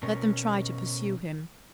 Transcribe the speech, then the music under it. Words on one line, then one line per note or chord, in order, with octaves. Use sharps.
Let them try to pursue him!
B2 C#4 A#4